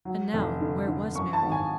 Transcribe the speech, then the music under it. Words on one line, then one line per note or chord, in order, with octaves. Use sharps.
And now, where was Mary?
F#3
F1
D3
D3
F#2 C#6
A5
G#1
G#5